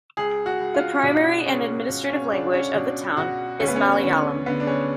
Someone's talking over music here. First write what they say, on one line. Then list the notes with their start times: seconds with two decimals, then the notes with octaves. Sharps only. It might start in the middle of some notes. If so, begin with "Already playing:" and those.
The primary and administrative language of the town is Malayalam.
0.17 C#2 G#4
0.46 F#4
0.60 C#2
0.75 F4
1.03 B2 D4
1.46 C#2 C#4
1.89 B2
2.10 C#4
2.32 C#2 D4
2.54 C#4
2.75 B2 D4
3.17 B2 F#4
3.60 D2 C#4
3.68 B3
3.76 C#4
4.03 D3 C#4
4.46 D3 B3
4.60 D4
4.67 C#4